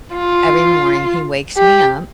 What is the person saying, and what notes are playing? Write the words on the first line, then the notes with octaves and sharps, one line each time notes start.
every morning he wakes me up.
F4
G4